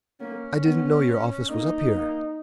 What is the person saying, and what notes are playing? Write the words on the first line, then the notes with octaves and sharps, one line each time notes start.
"I didn't know your office was up here."
A#3 C#4
B3
A#3 D#4
A#3